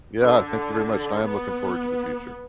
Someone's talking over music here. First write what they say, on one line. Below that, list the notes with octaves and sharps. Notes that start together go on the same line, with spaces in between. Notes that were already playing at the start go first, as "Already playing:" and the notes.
Yeah, thank you very much, and I am looking forward to the future.
D3
B3